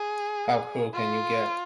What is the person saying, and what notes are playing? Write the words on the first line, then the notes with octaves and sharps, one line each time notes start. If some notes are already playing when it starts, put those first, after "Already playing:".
How cruel can you get?
Already playing: G#4
F4